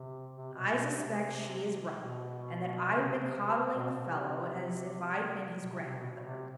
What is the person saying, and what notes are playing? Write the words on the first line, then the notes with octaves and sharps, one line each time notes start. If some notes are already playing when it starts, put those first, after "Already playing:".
I suspect she is right, and that I've been coddling the fellow as if I'd been his grandmother.
Already playing: C3
C3
B2
B2
C3
B2
C#3
C3
C3
C3
B2
B2
C3
B2
C3
C3
B2
B2
C3